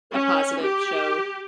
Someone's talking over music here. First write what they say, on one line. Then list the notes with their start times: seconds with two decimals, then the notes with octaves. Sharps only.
a positive show.
0.13 C#4
0.62 G4